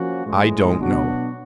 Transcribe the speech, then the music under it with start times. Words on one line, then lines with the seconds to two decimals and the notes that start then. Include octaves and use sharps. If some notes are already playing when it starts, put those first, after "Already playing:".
"I don't know."
Already playing: F3 A#3 C#4 F#4
0.25 A2 E3 G#3
0.79 B2 F#3 B3 D4 F#4